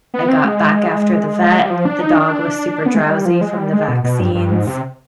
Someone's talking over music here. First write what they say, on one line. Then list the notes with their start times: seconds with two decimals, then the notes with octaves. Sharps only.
I got back after the vet, the dog was super drowsy from the vaccines
0.14 B3
0.28 C4
0.44 G#3
1.60 G3
1.70 F3
1.85 D4
2.01 D#4
2.17 D4
2.86 B3
2.95 G#3
3.10 G3
3.25 F3
3.41 G#3
3.58 G3
3.73 G#3
3.88 B2
4.04 B2
4.20 G2
4.35 G2
4.51 G#2
4.67 C3